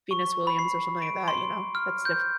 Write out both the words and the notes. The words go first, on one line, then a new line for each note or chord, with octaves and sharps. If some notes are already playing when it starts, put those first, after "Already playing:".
Venus Williams or something like that. You know? That's diffi
C#6
B5
C7
D7
C6
F6
G6